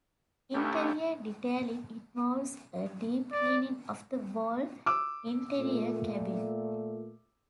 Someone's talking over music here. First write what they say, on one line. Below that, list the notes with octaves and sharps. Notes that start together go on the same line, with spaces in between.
Interior detailing involves a deep cleaning of the whole interior cabin.
C#2 A3 C#4 G4
D5
D6 E6
A#2 A3